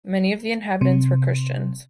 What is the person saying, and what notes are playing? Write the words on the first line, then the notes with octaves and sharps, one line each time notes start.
Many of the inhabitants were Christians.
C3